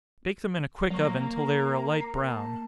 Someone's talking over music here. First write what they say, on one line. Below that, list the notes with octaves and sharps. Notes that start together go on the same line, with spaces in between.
Bake them in a quick oven till they are a light brown.
F#3 A#3 A#5 C#6
D6 C7
A5